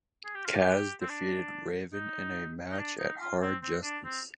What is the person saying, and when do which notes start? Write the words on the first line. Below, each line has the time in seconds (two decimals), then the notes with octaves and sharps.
Kaz defeated Raven in a match at Hard Justice.
0.25 G#4
0.35 G4
0.46 F4
0.56 G4
1.02 C4
1.09 D4
1.94 D#4
2.72 D#4
2.79 D4
2.99 D#4
3.20 F4
3.42 C4
3.63 C4
3.83 D4
4.05 C4